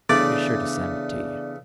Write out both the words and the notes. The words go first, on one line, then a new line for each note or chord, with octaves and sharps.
I'll be sure to send it to you.
C#3 E3 A3 B3 D4 D5